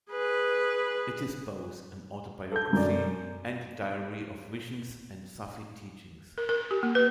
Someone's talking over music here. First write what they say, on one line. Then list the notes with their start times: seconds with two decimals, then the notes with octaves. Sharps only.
It is both an autobiography and a diary of visions and Sufi teachings.
0.11 G#4 B4
2.52 A4 G6
2.73 F#2 D5
6.38 A#4
6.49 A#4
6.71 G4
6.83 A#3
6.95 B4